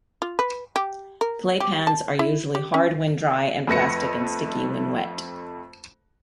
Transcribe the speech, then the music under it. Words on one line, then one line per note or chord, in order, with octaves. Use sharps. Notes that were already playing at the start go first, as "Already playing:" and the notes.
Claypans are usually hard when dry, and plastic and sticky when wet.
F4
B4
G4
A#4
G4
A5
E4
G4
C#4
F2 A3 B4 A#6 C#7